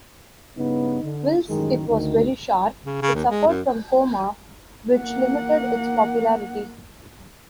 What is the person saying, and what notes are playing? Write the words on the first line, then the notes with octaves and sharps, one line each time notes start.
Whilst it was very sharp, it suffered from coma which limited its popularity.
G2 C#3 B3 D#4
D3
A1 F#2 D#3 G#3
D2 D#3
C#3
C#3
D#2
G#3
F#2
A#3 F#5